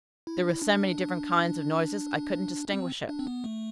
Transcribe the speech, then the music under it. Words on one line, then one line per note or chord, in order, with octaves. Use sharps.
"There were so many different kinds of noises I couldn't distinguish it."
E4
D4
E4
D4
D4
C4
D4
C4
B3
A3